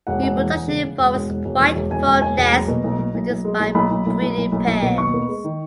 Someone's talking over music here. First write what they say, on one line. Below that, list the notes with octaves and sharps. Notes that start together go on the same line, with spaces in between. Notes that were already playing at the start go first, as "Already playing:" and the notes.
Reproduction involves white foam nests produced by breeding pairs.
E1 F#5
E1
E2
E1
C#3
C#3
E1
E1
E1
E1
E2
E1
E1 G#5
E1
E1 G#5
E1
B1 A#5
B2
B1
B1
B1
B1
G#3
B1
B1 B5
B1
B1
B1
B1
B1
B1
B2
D#2 C#6
B3
G#3
D#3